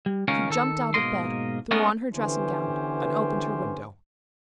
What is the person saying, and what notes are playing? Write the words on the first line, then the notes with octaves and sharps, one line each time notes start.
She jumped out of bed, threw on her dressing-gown, and opened her window.
G3
C#2 D#3 C#4 A#4 F5
D#3 A4
G#2 B2 A#3 A#4 D#5 C6
G#3 A3 B3 C#4 D#4 A#4
D3 E3 B3 C#4 G4 C5